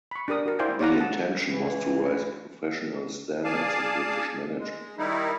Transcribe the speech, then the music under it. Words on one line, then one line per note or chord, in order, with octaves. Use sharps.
The intention was to raise professional standards in British management.
B5 C#6
D4 G4 A#4 D#6
F#4 A#4
E4 C5 D5 F5 G5 G#5
C#5 D5 F5 F#5 A#5 D6
F#5 A5
E3
G#4 D5 F5 G#5 A5
G#3
D#3 G3 D#4 E4